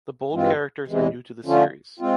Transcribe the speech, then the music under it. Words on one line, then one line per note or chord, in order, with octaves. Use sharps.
The bold characters are new to the series.
G2 E3 G#3 C4 F4
E2 C3 E3 G#3
D3 F3 A3 C#4 F4
G#3 C4 F4